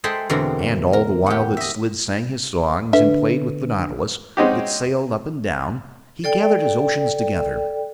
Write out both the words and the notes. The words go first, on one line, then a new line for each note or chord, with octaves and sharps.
And all the while that Slid sang his songs and played with the nautilus that sailed up and down he gathered his oceans together.
G#3 G#4 A4 C5 E5 G5
E2 B2 D3 C4 A#4
A#4
G4 F#5
D#5 E5
D3 B4 E5
G#3 C4 C#4 D#4 F#4 G4
A4 D5 G5